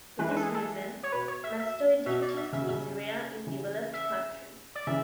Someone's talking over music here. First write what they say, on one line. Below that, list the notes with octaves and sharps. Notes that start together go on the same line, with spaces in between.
For this reason, mastoiditis is rare in developed countries.
E3 G#3 B4
B4
A4
G#4
A4
C#5
B2 B4
C#5
E5
E5
B2 E5
D5
E5
C#3 E5
B2
C#3 E5
C#3 E3
E5
D5
C#3 E3 E5